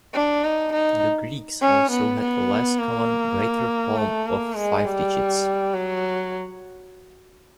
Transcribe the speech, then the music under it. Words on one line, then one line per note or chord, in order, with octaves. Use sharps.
The Greeks also had a less common "greater palm" of five digits.
D4
D#4
D#4
C#4
B3
B3
A#3
A3
A#3
G#3
G3
F#3